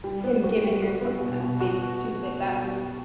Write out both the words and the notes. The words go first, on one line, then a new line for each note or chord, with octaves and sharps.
And giving yourself that space to think that was
G3
B3
F#4
G3
F#4
B3
B2
B2
F#4